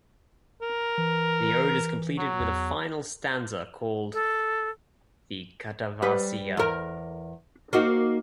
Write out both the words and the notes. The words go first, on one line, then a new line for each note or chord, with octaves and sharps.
The ode is completed with a final stanza called the "katavasia".
A#4
E3
F#3
E2
A4
G3 B4
E2 A#4
A#3 D#4 F#4